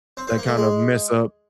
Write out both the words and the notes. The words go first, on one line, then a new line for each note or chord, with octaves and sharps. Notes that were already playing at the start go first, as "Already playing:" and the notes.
that kind of mess up
C4
C4
A#3
A3
G#3